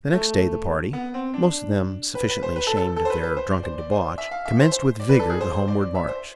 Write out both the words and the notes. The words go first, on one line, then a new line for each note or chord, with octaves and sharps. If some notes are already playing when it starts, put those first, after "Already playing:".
The next day the party, most of them sufficiently ashamed of their drunken debauch, commenced with vigor the homeward march.
A3
B3
C4
D4
B4
B4
C5
B4
A4
A4
A4
C5
B4
B4
C5
D5
C5
D5
C5
E5
F5
E5
C5
C5
D5
B4
A4
G#4
C5
C5
D5
D5
E5
C5